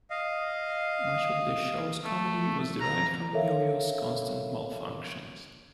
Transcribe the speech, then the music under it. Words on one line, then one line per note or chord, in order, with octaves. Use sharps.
Much of the show's comedy was derived from Yoyo's constant malfunctions.
D#5 F5
A3
A#5
A4 A#4 C#5 E5 F5